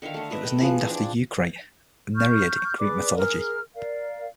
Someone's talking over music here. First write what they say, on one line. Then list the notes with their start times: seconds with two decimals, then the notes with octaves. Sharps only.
It was named after Eukrate, a Nereid in Greek mythology.
0.02 D3 D#3 E5 F5
0.14 D3 A3
0.30 A#4 B4 D#5 E5
0.44 A3 E5 G5
0.60 E3 F3 G#4 B4
0.88 C4 D4 D5
2.16 C#6 F6 G6
2.78 G#4 B4 D5 D6
3.17 G#4 A#4 F6
3.75 A#4 D5 F5